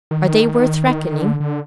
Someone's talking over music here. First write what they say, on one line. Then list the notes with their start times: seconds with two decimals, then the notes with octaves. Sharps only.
Are they worth reckoning?
0.11 D#3
1.21 D3
1.40 D3